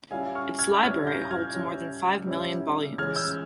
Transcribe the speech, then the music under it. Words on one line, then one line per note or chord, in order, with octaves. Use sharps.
Its library holds more than five million volumes.
G3 C#4 E4 F5 G#5
C#6 F6
F6 G#6
G3 C#4 E4 F6 G#6
G6 A#6
F6 G#6
G3 C#4 E4
G3 C#4 E4
E3 G#3 C#4 F6 G#6
E6 G6